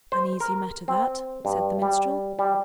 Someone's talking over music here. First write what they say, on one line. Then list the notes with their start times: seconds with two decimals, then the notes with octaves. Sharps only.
"An easy matter that," said the minstrel.
0.12 C5
0.40 A#4
0.88 C4
1.45 G2
1.82 G3
2.39 G3